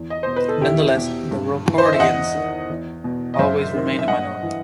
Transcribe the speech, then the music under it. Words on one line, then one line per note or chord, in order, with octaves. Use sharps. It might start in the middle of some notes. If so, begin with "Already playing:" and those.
Nonetheless, the "rocardiens" always remained a minority.
Already playing: E2
D#5
B2 C5
B4
A4
E2 E4 G4
B2
G2
E3
C5
D#5
E5
E2 D#5 F#5
D#3
E2
B2
D#5
F#2 C5 E5
D#3
E5
G2 D#5 F#5
E3